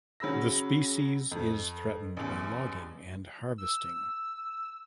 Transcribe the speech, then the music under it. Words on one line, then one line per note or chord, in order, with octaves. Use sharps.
The species is threatened by logging and harvesting.
C#3 F#3 G#4 B5 E6 A#6
F2
A1 E2
E6